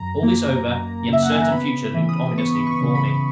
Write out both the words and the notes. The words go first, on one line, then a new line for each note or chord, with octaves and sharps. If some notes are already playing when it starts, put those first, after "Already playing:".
All this over, the uncertain future loomed ominously before me.
Already playing: F#2 A#5
A#3
F#2
C#3 E5
F#5
G#5
A#5
B3 B5
E3
D#6
B3 C#6
B5
C#6
C#3
B5